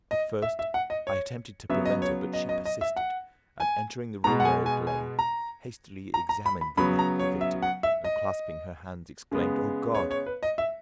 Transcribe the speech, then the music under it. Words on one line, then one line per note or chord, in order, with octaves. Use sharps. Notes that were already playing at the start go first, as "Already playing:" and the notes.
At first I attempted to prevent her but she persisted, and entering the room where it lay, hastily examined the neck of the victim, and clasping her hands exclaimed, 'O God!
D#5
E5
E5
F#5
D#5
C#5
C#3 F#3 B3 E5
D#5
C#5
D#5
D#5
D#5
E5
F#5
G#5
B2 G#3 B3 A#5
F#5
G#5
G#5
G#5
A#5
A#5
A#5
B5
B5
C#3 F#3 B3 B5
A#5
C#5
E5
F#5
E5
D#5
C#3 G#3 B3
C#5
C#5
B4
D#5
E5